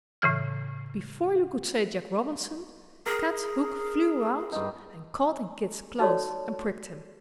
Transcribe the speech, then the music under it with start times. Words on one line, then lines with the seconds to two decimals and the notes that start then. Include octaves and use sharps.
Before you could say Jack Robinson, Kat's hook flew around and caught in Kit's clothes and pricked him.
0.22 A2 C#3 E3 F6
3.06 G#4 A#4
4.52 G2 D#4
5.99 D#4 F#4 A4 C#5 D5